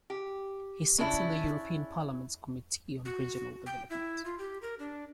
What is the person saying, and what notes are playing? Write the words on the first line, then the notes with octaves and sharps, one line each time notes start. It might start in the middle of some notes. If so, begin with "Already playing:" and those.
He sits on the European Parliament's Committee on Regional Development.
G4
C#3 D4 E4
F#4
G5
E4
F4
G4
A#4
D4